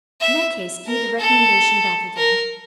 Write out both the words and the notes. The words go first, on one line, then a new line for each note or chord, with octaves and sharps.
"In that case give me the recommendation back again."
E5
A#4
A4
A#4